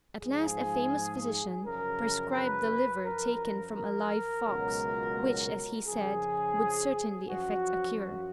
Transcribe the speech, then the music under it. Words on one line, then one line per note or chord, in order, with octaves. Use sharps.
At last a famous physician prescribed the liver taken from a live fox, which, as he said, would certainly effect a cure.
G#2 F3 G#4
F#2 C#3 F3 A#4
B4
F#2 F3 A#4
A#4
C#2 B2 F#3
F2 C#3 F3 G#4
F#2 F3 F#4
F#4